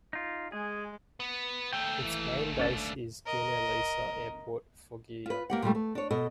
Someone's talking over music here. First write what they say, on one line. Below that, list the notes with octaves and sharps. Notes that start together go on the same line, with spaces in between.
Its main base is Gino Lisa Airport, Foggia.
D#4 F4
G#3 G#4
B3
D#2 A3 G5
E3
C#4 D4 A4
D4
A#4 D#5
F4 B4
A#3 G4 F#5
A#2 D3 G3 A3
A3
D4 C#5
B2 A4 D#5